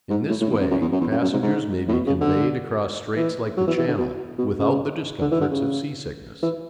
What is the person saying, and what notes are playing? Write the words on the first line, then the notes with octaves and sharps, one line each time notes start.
In this way passengers may be conveyed across straits like the Channel without the discomforts of sea-sickness.
G#2
A2
A2
E2
F#2
F#2
E2
F#2
E2
F#2
F#2
G#2
G#2
A2
B2
C#3
D3
E3
F#3
E3
E3
D3
B2
B2
C#3
D3
E3
D3
C#3
E3